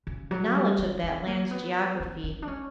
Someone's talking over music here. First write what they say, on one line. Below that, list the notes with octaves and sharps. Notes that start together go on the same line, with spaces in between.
The knowledge of that land's geography . . .
C#3
F#3
G3
C#4
C#4
A#3
B3
C#4
C#4
D4
C#4